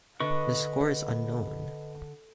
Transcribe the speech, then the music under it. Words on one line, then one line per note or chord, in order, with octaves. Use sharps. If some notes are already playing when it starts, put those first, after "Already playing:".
The score is unknown.
D3 B4 D#5 C#6